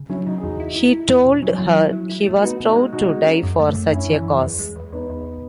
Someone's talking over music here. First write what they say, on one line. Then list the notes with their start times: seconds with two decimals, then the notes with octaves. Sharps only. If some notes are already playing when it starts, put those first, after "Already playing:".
He told her he was proud to die for such a cause.
Already playing: C#3
0.09 F#3 C#4 E4
0.26 C#3 D#4 F#4
0.38 G#4
0.43 E2 D#4 F#4
0.60 E4
0.76 E4
0.93 E4
1.09 E2
1.26 B2
1.42 F#3 C#4 E4
1.60 F#3
1.76 E4
1.92 F#3
2.10 E4
2.26 A3
2.42 B3 D#4 F#4
2.60 B2
2.68 D#4 F#4
2.76 G#3
2.93 B2 D#4 F#4
3.09 G#3
3.26 C#4
3.43 F#2
3.60 A3
3.76 F#2
3.93 F#2 C#4 E4
4.10 E3
4.25 F#2
4.42 E2
4.59 G#3
4.76 E2
4.92 E2 B3 D#4
5.09 E2